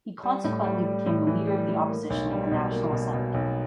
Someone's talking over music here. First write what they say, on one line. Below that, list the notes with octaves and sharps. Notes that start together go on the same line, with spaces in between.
He consequently became the Leader of the Opposition in the National Assembly.
G3
A2
G3
G3
A2
E3
G3
A2
A#3
B1
G3
B2
A#3
B2
B2
B1